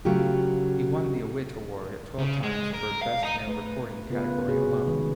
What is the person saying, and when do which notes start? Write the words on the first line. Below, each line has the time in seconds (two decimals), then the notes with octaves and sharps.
He won the Awit Award twelve times for "Best Male Recording" category alone.
0.05 C#3 F#3 A3 F4 G4
2.19 C#3
2.43 G#3
2.74 A#4
3.02 F5
3.24 D#5 A#5
3.47 A3 B4
4.10 C#3 B3 F4 A#4 B4
4.48 C3 F#4 G#4 C#5
4.87 D#3 G#3 D#4 B4